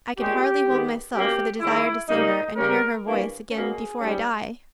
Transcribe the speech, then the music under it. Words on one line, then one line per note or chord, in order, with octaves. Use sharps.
I can hardly hold myself for the desire to see her and hear her voice again before I die.
A#2 G#3 C#4 G4
D#3 G#3 B3
B2 A#3 C#4 G4
D#3 G#3 C#4 E4
C#3 G3 A#3 D#4
C#3 G3 A#3 C#4 A#4
G2 E3 A#3 C#4
B2 A#3 C#4 G#4
G#2 G3 C#4